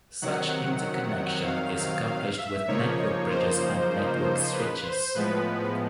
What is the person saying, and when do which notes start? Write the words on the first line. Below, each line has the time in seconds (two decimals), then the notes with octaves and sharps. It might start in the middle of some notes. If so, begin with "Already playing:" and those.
Such interconnection is accomplished with network bridges and network switches.
0.22 C3 D#3 F#3 F#5
1.45 F5
1.76 F5
2.06 F5
2.37 E5
2.68 C#3 F3 A#3 D#4 C#5
3.29 C5
4.53 B4
4.84 C5
5.14 A2 F3 G#3 B3 B4